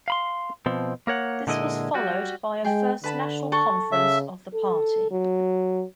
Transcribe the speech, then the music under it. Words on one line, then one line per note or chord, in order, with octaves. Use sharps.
This was followed by a First National Conference of the party.
F5 B5 C6
B2 F3 C4
A#3 A#4 C#5 F#5
A#2 D3 G#3 E4 D#5
G3 F#4
G#3 G#4 G5
D3 B4 A5 B5
A4 F#5 C#6
C#3 E5
A4
F#3